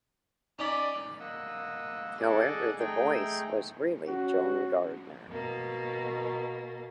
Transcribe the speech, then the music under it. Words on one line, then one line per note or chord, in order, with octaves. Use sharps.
However the voice was really Joan Gardner.
C#4 D#4 D5 B5
A#3 D#5 F#5 E6
G#4 A4 D5 D#5 F#5
A3 D#4 G#4 G5
C#4 F#4
B2 A#3